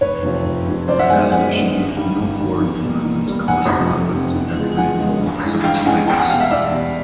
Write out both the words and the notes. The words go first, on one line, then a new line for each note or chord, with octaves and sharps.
As Alicia moved northward, the remnants caused moderate to heavy rainfall in several states.
F1 B4 C#5
F2 C3 F3
F1
F2 C3 F3
F#2 C5 D5
E5 F#5
D#3 G#3 B3 F#5 G#5
F#2 F#5 G#5
D#3 G#3 B3
G1
G2 D#3 G3
G1
G2 D#3 G3
E2
B2 G3 A#3
E2
B2 G3 A#3
F1 F#5 G#5
F2 C3
F1
F2 C3
E2
C#3 F3 G#3
E2 F#5 G#5
C#3 F3 G#3
G2
E3 G#3 C#4
G2 F5 G5
E3 G#3 C#4 F#5 G#5
E2 G5 A5
F#5 G#5
B2 G3 F5 G5
E5 F#5
F5
E2 D5 E5
B2 G3